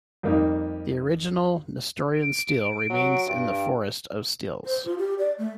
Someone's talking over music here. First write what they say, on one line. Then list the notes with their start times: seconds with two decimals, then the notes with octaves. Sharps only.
The original Nestorian Stele remains in the Forest of Steles.
0.23 F2 G3 A#3 D#4
2.15 D7
2.90 F#3
3.27 G2
4.66 C5
4.86 F4
4.98 G4
5.19 D5
5.39 A3